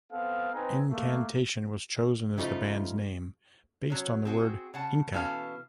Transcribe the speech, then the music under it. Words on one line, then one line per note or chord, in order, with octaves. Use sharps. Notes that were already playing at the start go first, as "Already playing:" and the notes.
Incantation was chosen as the band's name, based on the word "Inca".
B3 C4 A4 F5
C4 D#4 B4 G#5 A#5
A3 A#3
C#3 F3 G3 A3 D#4 F4
F#3 C#4
C4 F#4 G#4
C#3 F#5 A5
B2 E3 C#4 A4 A#4 F5